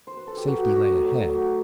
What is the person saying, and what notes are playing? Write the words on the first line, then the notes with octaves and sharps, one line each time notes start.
Safety lay ahead.
C5
B4
A4
G4
F#3 F#4
F#3
A2
F#3
F#3